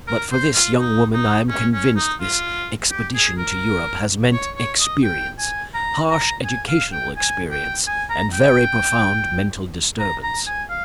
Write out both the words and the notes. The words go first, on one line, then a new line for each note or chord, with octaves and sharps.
But for this young woman I am convinced this expedition to Europe has meant experience, harsh educational experience and very profound mental disturbance.
A#4
C5
F4
D#4
D#4
C#4
C#4
D#4
F4
G4
G#4
A#4
C#5
C#5
D#5
G5
G#5
A#5
A#5
G#5
F5
G5
G#5
G5
G#5
A#5
G5
A#5
A#5
G#5
F5